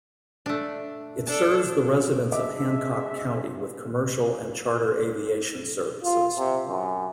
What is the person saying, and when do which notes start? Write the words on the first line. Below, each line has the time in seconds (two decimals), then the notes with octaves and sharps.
It serves the residents of Hancock County with commercial and charter aviation services.
0.46 A3 D4
1.27 D4 A4 A5
2.32 G#3 D4 D#5 E5 D6
6.04 F4
6.38 C3
6.68 F#2